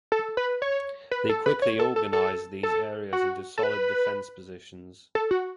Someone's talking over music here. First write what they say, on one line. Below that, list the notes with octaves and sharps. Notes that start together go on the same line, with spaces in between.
They quickly organized these areas into solid defense positions.
A4
B4
C#5
B4
A4
B4
C#5
A4
A4
A4
A4
F#4
A4
B4
A4
F#4